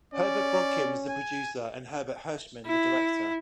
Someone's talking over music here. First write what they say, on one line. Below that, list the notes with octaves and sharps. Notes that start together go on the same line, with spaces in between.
Herbert Brodkin was the producer and Herbert Hirschman the director.
C#4 D5
G#5
E4